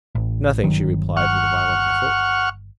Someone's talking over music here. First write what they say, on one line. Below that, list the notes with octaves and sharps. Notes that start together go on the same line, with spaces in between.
"Nothing," she replied with a violent effort.
A1
G1 D#3 F#3
F#5 C#6 F6